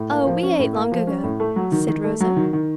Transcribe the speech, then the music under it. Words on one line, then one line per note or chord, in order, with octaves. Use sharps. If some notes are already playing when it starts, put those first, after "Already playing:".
"Oh, we ate long ago," said Rosa.
Already playing: A2
A#3
F3
C#4
A2
A#3
F3
C#4
A2
A3
F#3
D#3
D#3
A3
F#3
D#3
D#3